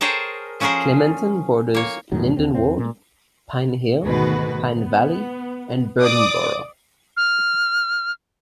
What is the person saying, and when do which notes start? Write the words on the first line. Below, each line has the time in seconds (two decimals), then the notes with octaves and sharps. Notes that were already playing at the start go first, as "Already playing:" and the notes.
Clementon borders Lindenwold, Pine Hill, Pine Valley, and Berlin Borough.
0.01 G#4 A#4 C5 C#5 G5 A5
0.60 F3 C#4 F#4 G#4 A#4 C5
1.74 A#3 C#5
2.12 E2 A2 D#3 F#3
2.35 D#2 C4 D4
2.54 E2 C4
2.79 A#2
4.04 D2 G#2 B2 D#3 F#4 B4
4.75 B3
6.02 D5 D6 D#6
7.17 F6